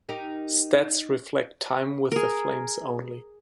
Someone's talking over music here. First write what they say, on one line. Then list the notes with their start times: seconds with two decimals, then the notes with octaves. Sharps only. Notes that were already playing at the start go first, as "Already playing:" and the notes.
Stats reflect time with the Flames only.
0.09 D#4 G4 A#4
2.12 G#4 A#4